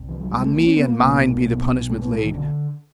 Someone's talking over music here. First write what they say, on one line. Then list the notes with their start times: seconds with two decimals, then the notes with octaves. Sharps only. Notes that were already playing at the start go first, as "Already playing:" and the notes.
On me and mine be the punishment laid.
Already playing: C2 C3
0.09 E3
0.20 F#3
0.31 G3
0.42 A3
0.54 A#3
0.65 C#4
0.76 B3
0.88 A#3
0.99 B1 B2
1.90 A3
2.01 B3
2.12 A3
2.24 D#3
2.34 D3